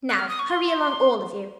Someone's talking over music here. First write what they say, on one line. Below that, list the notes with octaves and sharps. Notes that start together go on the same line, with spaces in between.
Now hurry along, all of you.
F#6
F6
D#6
C#6
C6